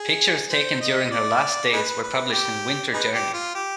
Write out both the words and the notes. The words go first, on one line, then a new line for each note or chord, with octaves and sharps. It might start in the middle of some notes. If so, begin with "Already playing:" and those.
Pictures taken during her last days were published in Winter Journey.
Already playing: G#4
C5
D#5
D5
D#4 G#4 B4
B4
G4
D#4 G#4 B4
G4
F4
G4